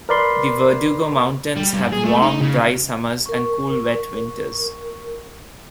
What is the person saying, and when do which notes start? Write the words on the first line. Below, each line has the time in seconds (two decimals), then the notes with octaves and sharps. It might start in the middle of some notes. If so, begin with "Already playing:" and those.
The Verdugo Mountains have warm, dry summers and cool wet winters.
0.09 A#4 B4 D5 B5 C6
1.56 G3
1.73 G2
1.92 G#4
2.04 A3
2.22 D#4
2.41 C#3
3.26 A#4 C#6